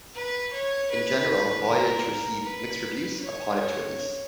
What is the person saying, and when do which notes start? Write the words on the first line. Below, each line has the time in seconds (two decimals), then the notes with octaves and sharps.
In general, "Voyage" received mixed reviews upon its release.
0.15 B4
0.53 C#5
0.91 B4
1.68 A#4
2.45 B4
3.21 C#5
3.59 C#5